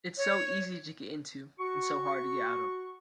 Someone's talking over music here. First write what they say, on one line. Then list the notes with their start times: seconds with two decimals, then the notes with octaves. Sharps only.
It's so easy to get into and so hard to get out of.
0.17 C#5
1.59 F#4 C#6